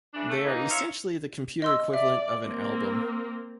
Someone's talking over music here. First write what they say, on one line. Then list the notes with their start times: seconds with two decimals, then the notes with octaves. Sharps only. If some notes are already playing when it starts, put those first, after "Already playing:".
They are essentially the computer equivalent of an album.
0.14 C#3 E3 D4
0.28 A3
0.45 E3 A#3 D#4
0.69 D#4 F4 C#5 E5 F5
1.62 D#5 C6 E6
1.94 D5 E5
2.45 A#3 C4